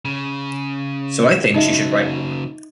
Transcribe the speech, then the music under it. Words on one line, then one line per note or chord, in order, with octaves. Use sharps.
So I think she should write more.
C#3
C#3 F#3 D#4 D#5 E5